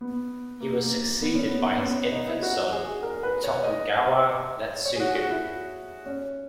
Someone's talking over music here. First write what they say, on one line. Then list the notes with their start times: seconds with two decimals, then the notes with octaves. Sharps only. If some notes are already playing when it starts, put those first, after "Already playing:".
He was succeeded by his infant son, Tokugawa Ietsugu.
0.01 B3
0.61 A#3
0.85 A#3
1.21 B3
1.35 C#4
1.47 B3
1.77 B3
1.82 C#4
2.12 D#4
2.28 E4
2.42 F#4
2.72 G#4
3.03 A#4
3.23 B4
3.44 C#5
3.63 D#5
4.85 C#5
4.96 G#4
5.00 F#4
5.15 F#4
5.30 E4
6.06 C#4